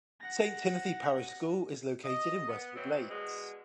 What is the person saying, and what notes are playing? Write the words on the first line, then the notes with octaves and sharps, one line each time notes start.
Saint Timothy Parish School is located in Westwood Lakes.
F#5 A#6
D#5
B3
B2 E3 F#3 C4
B2 D3 G#3